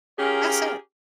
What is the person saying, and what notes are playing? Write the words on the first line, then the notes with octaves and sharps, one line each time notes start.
That's it.
C#4 F4 G4 G#4 A#4 C#5